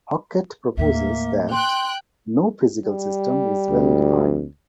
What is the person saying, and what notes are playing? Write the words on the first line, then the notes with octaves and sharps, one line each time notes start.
Hockett proposes that "no physical system is well-defined".
D#2 A2 A#3 E5
G5 C6 F#6
G3
D2